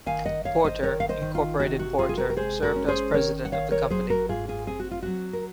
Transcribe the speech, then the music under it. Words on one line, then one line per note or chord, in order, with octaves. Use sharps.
Porter, Incorporated Porter served as president of the company.
D#3 F5 G#5
D#5 F#5
D#3 C#5 F5
C5 D#5
D#3 A#4 C#5
F5
C5 D#5
D#3
F4
C3 F#4
F#4
C3 F4 G#4
G#4
F#4 A#4
A#4
G#3 G#4 C5
F#4 A#4
C#4
G#4 C5
D#3 A#4 C#5
F#5
D#3 C#5 F5
A#4 C#5
F#3 G#4 C5
F#4 A#4
G#2 F4 G#4
F4 G#4
C4 G#4
F#4
F4
F#3 F#4
A#4